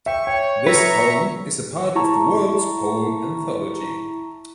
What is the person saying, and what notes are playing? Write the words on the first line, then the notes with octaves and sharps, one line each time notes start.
This poem is a part of the world's poem anthology.
E5 G5 C#6
C#5 G5
B4 E5 A#5 C#6
E4 A5 A#5 C#6